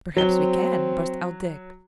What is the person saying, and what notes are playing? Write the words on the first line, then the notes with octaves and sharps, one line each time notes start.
"Perhaps we can!" burst out Dick.
F#3 C4 G7